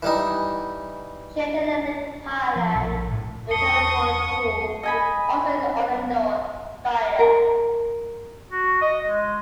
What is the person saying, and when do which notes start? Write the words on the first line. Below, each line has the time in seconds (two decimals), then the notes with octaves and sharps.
She attended Lake Highland Preparatory School also in Orlando, Florida.
0.03 E3 G3 D#4
2.56 F3
2.75 A#1
3.11 A2
3.51 E2 A5 C#6 D#6 C7 C#7 G7
4.83 D#5 G#5 B5
7.19 A#4
8.52 F#4
8.81 D#5
9.07 G#3